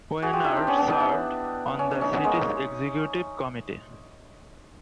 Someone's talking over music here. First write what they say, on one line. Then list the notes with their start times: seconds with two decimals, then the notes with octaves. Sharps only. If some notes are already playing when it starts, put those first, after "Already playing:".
Weiner served on the city's executive committee.
0.22 F#4 G#4
0.33 F4 G4
0.44 D4 E4
0.51 D#4
0.56 C4 D4
0.67 B3 C#4
0.78 B3 C#4
0.90 C#4 D#4
1.00 D4 E4
1.79 C#4
1.91 D4
2.01 C#4 D#4
2.13 B3
2.24 G#3 A#3